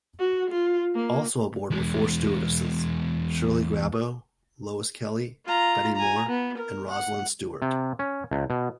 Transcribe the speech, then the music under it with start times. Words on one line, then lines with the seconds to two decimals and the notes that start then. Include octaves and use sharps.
Also aboard were four stewardesses: Shirley Grabow, Lois Kelly, Betty Moore, and Rosalind Stewart.
0.19 F#4
0.50 F4
0.95 A#3
1.71 E2 G#3
5.45 F4 A#5
5.95 G#5 A#5
6.28 B3
6.57 A#4
6.90 F#5
7.62 C3
7.99 C#4
8.31 C#2
8.50 B2